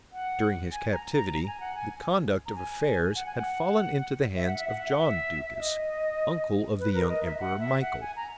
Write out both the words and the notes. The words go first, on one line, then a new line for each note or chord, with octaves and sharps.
During his captivity the conduct of affairs had fallen into the hands of John Ducas, uncle of the young emperor Michael.
F#5
G#5
A#5
A#5
A#5
G#5
F#5
G#5
A#5
G#5
F#5
G#5
F#5
E5
F#5
E5
F#5
E5
F#5
E5
E5
D#5
B4
A#4
D#5
E5
F#5
E5
F#5
G#5
A#5